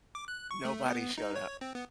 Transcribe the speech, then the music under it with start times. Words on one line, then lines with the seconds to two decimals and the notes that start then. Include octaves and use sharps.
nobody showed up,
0.15 D6
0.28 F#6
0.51 C#6
0.65 A3
0.86 B3
1.18 D#4
1.36 C#5
1.61 C4
1.75 B3